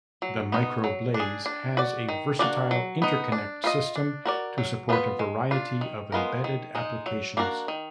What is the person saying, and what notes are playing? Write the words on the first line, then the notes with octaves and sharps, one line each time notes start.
The MicroBlaze has a versatile interconnect system to support a variety of embedded applications.
F#3
B3 D#4
F#3
D4
G#4
D4
F#4 D5
D#3
A#3 D4 F#4 D5
F#3
B3 D#4
D4
F4 B4 D#5
D4
F#4 A#4 D5
F#3
B3 D4 F4 B4
G#3
D4 F4
D#3
G#3 B3 F4 A#4
D#3
G#3 D#4
F#3
A#3 D4 F#4 A#4
D#3